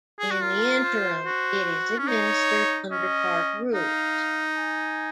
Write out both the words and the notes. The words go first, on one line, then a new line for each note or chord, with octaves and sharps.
In the interim, it is administered under park rules.
G#4
F#4
F4 A#4
C5
F#4
C#4
D#4 C#5
C#4 D#5
D#4 F5
G#5